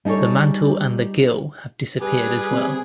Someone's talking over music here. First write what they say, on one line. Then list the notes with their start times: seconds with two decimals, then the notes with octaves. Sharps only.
The mantle and the gill have disappeared as well.
0.05 G3 D#4 G#4 A4 C#5
2.01 G3 G4 G#4 B4
2.52 C3